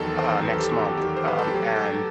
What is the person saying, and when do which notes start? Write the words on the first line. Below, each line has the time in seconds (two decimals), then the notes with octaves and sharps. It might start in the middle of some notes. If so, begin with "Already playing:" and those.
uh, next month, um, and
Already playing: E2 D#3 F#3 A4
0.19 C5
0.45 E2 D#3 F#3 B4
0.53 A4
0.59 G4
0.71 F#4
0.84 G4
0.97 E2 D#3 F#3 G4
1.17 C5
1.28 B4
1.39 A4
1.50 A2 F#3 G4
1.76 A4